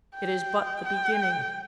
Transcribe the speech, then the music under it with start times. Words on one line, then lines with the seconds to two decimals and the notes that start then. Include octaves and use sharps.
It is but the beginning!
0.15 G5
0.86 G5